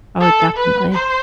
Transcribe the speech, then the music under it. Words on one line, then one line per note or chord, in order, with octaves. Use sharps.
Oh, definitely.
A4
B4
C5